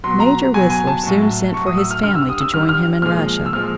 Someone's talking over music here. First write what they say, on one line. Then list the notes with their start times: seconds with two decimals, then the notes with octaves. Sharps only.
Major Whistler soon sent for his family to join him in Russia.
0.04 B2 F#3 C6
0.20 A#5
0.54 B2 F#3 G#5
0.70 G#5
0.87 A5
1.03 A2 F#3
1.53 A2 F#3 C#6
1.66 D#6
1.78 E6
1.91 F6
2.03 D3 G3 F6
2.15 E6
2.29 D#6
2.41 E6
2.53 D3 G3 F6
2.69 F6
3.02 A#2 F3 G#3 F6
3.46 E6
3.52 A#2 F3 G#3 F6